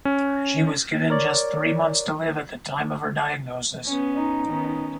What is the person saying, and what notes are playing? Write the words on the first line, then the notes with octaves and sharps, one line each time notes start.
She was given just three months to live at the time of her diagnosis.
C#4
A#4 C#5 D5
B3 C#4
D#4
D#3 B3 C#4